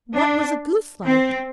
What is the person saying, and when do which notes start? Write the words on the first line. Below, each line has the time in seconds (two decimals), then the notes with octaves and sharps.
'What was a goose like?'
0.15 D4
1.06 C4